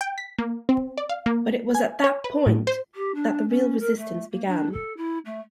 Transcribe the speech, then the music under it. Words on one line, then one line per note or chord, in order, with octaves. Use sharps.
But it was at that point that the real resistance began.
G5
B6
A#3
C4
D5
F5
A#3
G#5
C#5
B4
A2
C5
G4
D4
C#4
A#4
A3
A#3
D4
A4
E4
A3